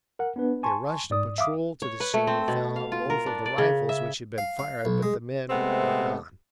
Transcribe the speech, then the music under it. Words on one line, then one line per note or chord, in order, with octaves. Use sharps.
They rushed a patrol to the scene and found both of the rifles which had been fired, but the men were gone.
A#4 F#5
B3 D4 B4
G#5 A5 C6 C#6
G#2 D5 D#6
E5 F5 D6 D#6
C#5
B4
A3
C4
B2
F5
F4
A#4
D4
D5
C#3
E5
F5
F5
B1
G#3
C3 G#3 A3 B3 C4